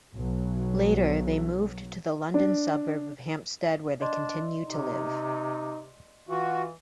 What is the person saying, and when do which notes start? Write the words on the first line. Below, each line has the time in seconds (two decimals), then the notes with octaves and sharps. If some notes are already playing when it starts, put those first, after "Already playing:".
Later they moved to the London suburb of Hampstead where they continue to live.
0.14 B1 F#3
2.34 D4
4.01 D4 D5 D#5 C6
4.68 C3 D#4
6.29 E3 F4 F#4